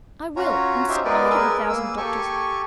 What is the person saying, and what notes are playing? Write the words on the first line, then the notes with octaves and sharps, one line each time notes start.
I will, in spite of a thousand doctors.
C#4 F4 F#4 C#5 A#5
D#4 G4 C5 E5
G#3 B3 G#4 A#4 B4 D5
G#4 A#4 B4 E6
A#3 E6
G4 A4 G#5 C#6